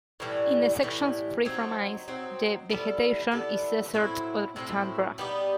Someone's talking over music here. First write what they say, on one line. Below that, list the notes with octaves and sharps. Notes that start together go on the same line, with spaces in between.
In the sections free from ice, the vegetation is desert or tundra.
A2 E3 G3
A2 E3 G3
F#3 C4 D#4
F#3 C4 D#4
G3 B3 E4 A4
G3 B3 E4 A4
A2 F#3 C4 E4
A2 F#3 C4 E4
G3 B3 D#4 G4